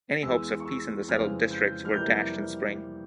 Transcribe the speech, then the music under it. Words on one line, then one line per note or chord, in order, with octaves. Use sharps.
Any hopes of peace in the Settled Districts were dashed in spring.
E2 E3 G#3 E6
C#6
E6
F2 C#3 E3 G#3 F6
G6
F6
F2 C3 E3 G3 A#3 G6